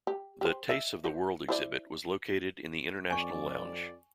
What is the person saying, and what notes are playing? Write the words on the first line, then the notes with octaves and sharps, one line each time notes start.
The 'Tastes of the World' exhibit was located in the International Lounge.
G4
G4 C5
D#5 E5
F#4 C5
E4 C5 D5
F2 D5 G#5 C#6